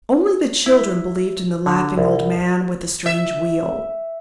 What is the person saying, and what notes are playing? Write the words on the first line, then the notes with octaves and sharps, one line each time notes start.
Only the children believed in the laughing old man with the strange wheel.
E4
D3
C2
E5